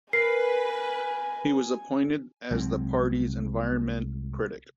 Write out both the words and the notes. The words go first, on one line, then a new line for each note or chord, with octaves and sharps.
He was appointed as the party's environment critic.
A#4 B4 G#5 C7
C2 F#3 G#3 C4